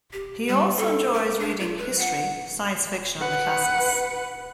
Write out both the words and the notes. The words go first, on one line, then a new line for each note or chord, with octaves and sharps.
He also enjoys reading history, science fiction and the classics.
G4
G3
A4
A#4
D4
F4
B4
F#5
B4 F#5